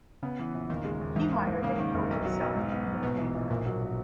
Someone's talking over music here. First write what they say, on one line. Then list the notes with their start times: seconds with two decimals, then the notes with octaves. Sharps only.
Heemeyer then killed himself with a handgun.
0.23 C#3 B3
0.39 E3
0.54 A#1
0.70 D#2 D#3
0.85 G#3
1.01 D#2
1.16 G#2 E3
1.32 A#3
1.47 G#2
1.63 C#3 A#3
1.79 D#3
1.94 F#1
2.10 B1
2.25 F#3
2.40 B1
2.57 G#2
2.72 B3
2.88 G#2
3.03 A#1 B2
3.19 E3
3.35 A#1
3.50 G#1 A#2
3.66 F#3